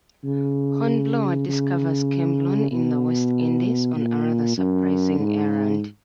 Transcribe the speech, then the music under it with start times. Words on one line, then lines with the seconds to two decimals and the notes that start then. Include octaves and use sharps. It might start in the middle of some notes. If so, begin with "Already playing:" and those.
Hornblower discovers Cambronne in the West Indies on a rather surprising errand.
0.24 C#3
1.48 C#3
2.71 B2
3.96 A#2
4.58 F#2
5.20 G#2